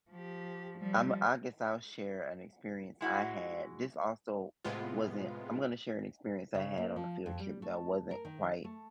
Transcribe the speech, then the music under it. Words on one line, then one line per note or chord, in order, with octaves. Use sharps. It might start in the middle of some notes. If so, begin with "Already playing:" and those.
I'm I guess I'll share an experience I had. This also wasn't I'm gonna share an experience I had on a field trip that wasn't quite
F3 G4
F3 G3
G#3 E4 F#4 G#4
A2 C3 G#3 B3 F4
C#3
A#3
F3
F2
G3
A3
A#4
D#3
A3